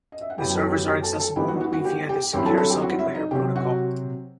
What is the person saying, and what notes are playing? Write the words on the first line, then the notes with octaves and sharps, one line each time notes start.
The servers are accessible only via the Secure Socket Layer protocol.
D#5
E5
F#5
F#2 F#3 B3 E4 G4 G5
G5
A4 A5
G4 G5
G4 G5
A4 A5
A4 A5
G2 E3 B3 G4 G5
F#4 F#5
F#4 F#5
F#4 F#5
G4 G5
G4 G5
G2 F#3 C4 E4 G4 G5
A4 A5
A4 A5
G4 G5
F#4 F#5
E4 E5
D#4 D#5
C3 F#3 C4 G4 G5
F#4 F#5